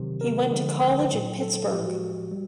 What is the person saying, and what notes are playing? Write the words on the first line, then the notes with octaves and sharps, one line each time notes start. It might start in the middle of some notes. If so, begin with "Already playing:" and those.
He went to college at Pittsburgh.
Already playing: C3 D#3 F#3
A#4
D3 F3 G#3
A#2 F#3
A4
A2 F3 G#3 G4
F#4
G3